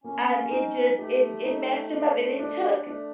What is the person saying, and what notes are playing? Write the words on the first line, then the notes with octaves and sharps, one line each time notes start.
and it just it it messed him up and it took
A#3 C#4
D#4
A3 G4
D#4
D4
D4
A3 D4